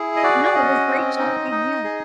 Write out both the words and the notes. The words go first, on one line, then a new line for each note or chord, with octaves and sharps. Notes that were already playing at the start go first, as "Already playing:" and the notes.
No, it was great talking yeah,
Already playing: E4 G#4
D#5
F#4 D5
D5
C#4 D#5
C4
D#4
D#4
G#4